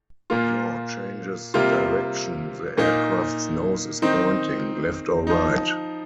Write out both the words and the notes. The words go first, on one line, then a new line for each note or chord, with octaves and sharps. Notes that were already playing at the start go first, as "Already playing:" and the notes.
Yaw changes the direction the aircraft's nose is pointing, left or right.
A#2 A#3 F4
C3 G3 A#3 F4
A#2 A#3 D#4
D#3 C4 D#4
F3 D#4